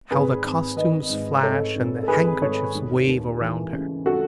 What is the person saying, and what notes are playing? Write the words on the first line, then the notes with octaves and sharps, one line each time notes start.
How the costumes flash and the handkerchiefs wave around her!
G#1 G#4 B4
G#1
D#3 B4 D#5
G#2
G#1 A4 C#5
G#1
A4
D#3 G#4 B4
G#2 A4 C#5
D#2
D#2
E3
C#3
F#4 A4